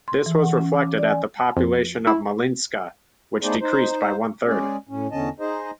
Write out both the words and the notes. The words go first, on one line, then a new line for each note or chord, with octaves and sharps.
This was reflected at the population of Malinska, which decreased by one third.
C6
E3
F#5
C#4
D6
D5
G#5
F2
E4
A3 B3 D#4 G#4 C5 D5
D#4 C5
G#3 C#4 G#4 D5
A2 C#4
E2 D3 C#4 D#5 A5
D#4 G#4 C5 D#5